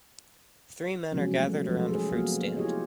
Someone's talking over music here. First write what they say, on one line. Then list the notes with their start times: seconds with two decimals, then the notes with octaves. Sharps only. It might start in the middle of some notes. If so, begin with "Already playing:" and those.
Three men are gathered around a fruit stand.
1.12 C3 F3 F#3 G#3 B3 C#4
1.35 F#3 A3
1.68 F3 F#3 G#3 F4 A4
1.89 G#4 B4
2.12 F#3 A#3 B3 F#4 F5
2.57 E4 F4 G4 G#4 C#5 D#5